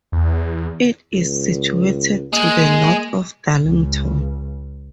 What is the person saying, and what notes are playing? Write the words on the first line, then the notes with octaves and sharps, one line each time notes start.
It is situated to the north of Darlington.
E2
C#2
G#3 A#3
C#2